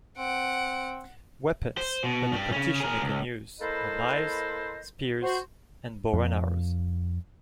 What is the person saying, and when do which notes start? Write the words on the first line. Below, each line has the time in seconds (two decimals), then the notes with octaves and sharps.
Weapons that the practitioner can use are knives, spears and bow and arrows.
0.18 C4 F#5 D7
1.77 C5
2.04 B2
2.32 G2 G3
2.52 C#3 C#4
2.80 G#4 A#4
3.02 C#2
3.60 A#3 E4 A4 B4 C5 D#5
5.22 F#4 C5
6.13 F2